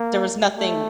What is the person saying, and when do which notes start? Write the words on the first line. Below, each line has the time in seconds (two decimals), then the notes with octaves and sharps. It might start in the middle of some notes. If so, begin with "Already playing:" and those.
there was nothing,
Already playing: A#3
0.57 A3